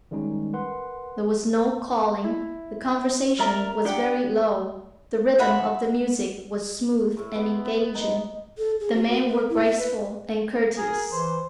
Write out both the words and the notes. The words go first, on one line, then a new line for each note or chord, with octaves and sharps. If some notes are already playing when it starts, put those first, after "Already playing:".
There was no calling, the conversation was very low, the rhythm of the music was smooth and engaging, the men were graceful and courteous.
D#3 G3 G#3 C#4 D#4
A#4 B4 F#5 C6
E4
A#4 D5 E5 A#5
D4 G4 F#5
E5 F#5 B5
A2
B3
B3
D#4
A4
G#4
F#4
A#4
B4
E4
E5
B4
G#4 A#4
E3 C5